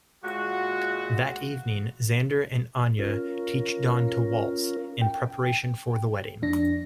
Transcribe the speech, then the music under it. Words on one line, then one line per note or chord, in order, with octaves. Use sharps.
That evening, Xander and Anya teach Dawn to waltz, in preparation for the wedding.
A#2 G#3 F#4
C#4 F4 A#4
G5
F2 D4 A#6